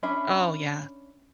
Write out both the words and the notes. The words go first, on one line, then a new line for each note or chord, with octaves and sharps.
Oh, yeah.
C#4 D4 E5 B5